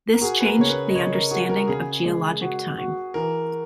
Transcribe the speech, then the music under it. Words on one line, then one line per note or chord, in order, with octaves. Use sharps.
This changed the understanding of geologic time.
A#4
F#4 G#4
B4
A#4
C#3 C#5
B4
D#5
C#3 C#5
A#4
F#4 G#4
A#4
C#3 G#4
G#3
F#4
F#4
E3 A#4